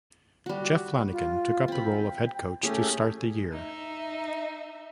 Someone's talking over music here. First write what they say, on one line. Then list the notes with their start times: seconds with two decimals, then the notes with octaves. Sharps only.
Jeff Flanagan took up the role of head coach to start the year.
0.46 G3 F#4
1.12 F4
1.68 C4 G5 B5
2.63 A3 C#4 G4 G#4
3.52 D#4 E5